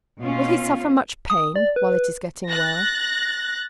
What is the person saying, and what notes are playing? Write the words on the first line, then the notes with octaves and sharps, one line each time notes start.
"Will he suffer much pain, while it is getting well?"
B2 A#3 C#4 F4
D#6
D5
B4
F#6 A6 A#6